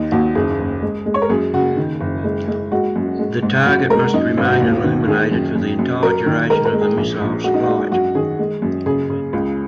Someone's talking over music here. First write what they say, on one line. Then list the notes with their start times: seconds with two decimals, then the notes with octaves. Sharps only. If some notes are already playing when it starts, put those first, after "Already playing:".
The target must remain illuminated for the entire duration of the missile's flight.
Already playing: D#2 D#4
0.12 D#2 F#4
0.35 F#1 G#4
0.59 F#1
0.82 G#3
1.06 G#3
1.14 C#5
1.22 A#4
1.29 F#2 G#4
1.53 C#3 F#4
1.77 D#3
2.00 F#1
2.24 G#3
2.48 G#3
2.72 G#3 F#4
2.96 F#2
3.19 G#3
3.43 G#2
3.66 F#2 F#4
3.89 G#3 A#4
4.14 F#2 D#4
4.38 G#1
4.45 F#4
4.61 D#2
4.84 D#3
5.08 D#3 G#4
5.31 F#2
5.55 F#2
5.79 F#2
6.02 F#3 A#4
6.26 D#3
6.50 G#3 A#4
6.65 A#4
6.73 G#3
6.81 G#4
6.97 A#1
7.21 A#1
7.44 G#3 F#4
7.54 D#4
7.63 G#3 F#4
7.92 F#2 F#4
8.15 D#3 G#4
8.39 G#3
8.62 F#2
8.86 C#3 G#4
9.10 C#3
9.33 C#2